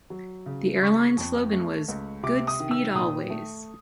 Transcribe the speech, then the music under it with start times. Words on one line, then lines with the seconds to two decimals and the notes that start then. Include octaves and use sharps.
The airline's slogan was "Good Speed Always".
0.10 F#3
0.46 C#3
0.81 C#3 C#6
1.18 F2
1.53 A3
1.88 C#2
2.23 C3 D6
2.47 D#6
2.60 D#3
2.71 E6
2.94 A#2 D#6
3.30 A3